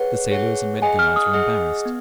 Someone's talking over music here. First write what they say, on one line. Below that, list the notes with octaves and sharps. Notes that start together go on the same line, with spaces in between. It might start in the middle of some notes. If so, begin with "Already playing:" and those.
The sailors and Red Guards were embarrassed.
Already playing: G#4 B4 C#5 F#5
G#4 C#5 F#5
G#4 D#5 F#5 G#5
F6
D#6
G#4 D#5 F#5
B3